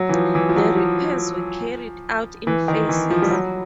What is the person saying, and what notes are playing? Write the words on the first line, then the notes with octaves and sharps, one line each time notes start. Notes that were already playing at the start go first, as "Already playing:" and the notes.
The repairs were carried out in phases.
Already playing: F#3
E3
F3
E3
F3
F#3
F3
E3
D#3
E3
F3
G3
F#3